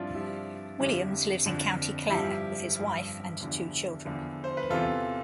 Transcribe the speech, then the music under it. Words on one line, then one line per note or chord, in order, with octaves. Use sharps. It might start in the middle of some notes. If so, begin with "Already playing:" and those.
Williams lives in County Clare with his wife and two children.
Already playing: G2 F3 C4 D4 E4 F4
G2 F3 E4 G4
F2 D3 F3 E4 G4
F2 D3 F3
G2 F3 E4 G4
G2 F3
E2 D3 F3
E2 D3 F3
C5
B4
E2 C3 E3 F4 A4